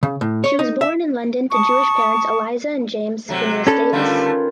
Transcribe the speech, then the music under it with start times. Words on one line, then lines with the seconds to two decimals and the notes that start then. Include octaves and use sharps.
She was born in London to Jewish parents Eliza and James Phineas Davis.
0.03 C#3
0.21 A2
0.44 C#5
0.59 D#4
0.81 E5
1.52 A5 C#6 D#6
3.29 C3 F#3 A3
3.67 C#4 D4 A4 B4
3.93 D3 D#3 G3 A3 F4